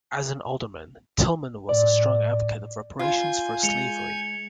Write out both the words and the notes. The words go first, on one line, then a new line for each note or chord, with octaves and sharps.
As an Alderman, Tillman was a strong advocate of reparations for slavery.
A2 D5
F4 G#5 G6 G#6
G#3 C#7 F7